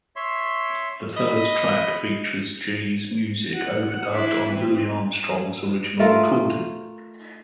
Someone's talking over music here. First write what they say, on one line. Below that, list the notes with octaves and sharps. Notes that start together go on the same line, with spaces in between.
The third track features G's music overdubbed on Louis Armstrong's original recording.
C#5 E5 C6
D#5 B5
F#5
D4 E4
E3 C4
A3 F4 A#4